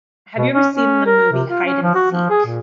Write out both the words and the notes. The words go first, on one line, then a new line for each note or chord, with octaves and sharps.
have you ever seen the movie Hide and Seek?
B2
C#4
C#4
A#4
C3
F4
C#4
F3
F#4
F3
G#4
A#2